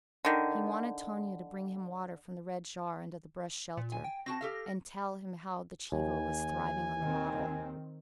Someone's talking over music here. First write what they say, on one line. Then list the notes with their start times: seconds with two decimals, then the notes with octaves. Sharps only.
He wanted Tonia to bring him water from the red jar under the brush shelter, and tell him how the /chivo/ was thriving on the bottle.
0.25 D3 D#3
3.77 A#2
3.92 G#5
4.04 G5
4.26 C4 F#4 A5 A#6
4.41 G4 A4 F5
5.92 D#2 G#5
7.00 D#3 C4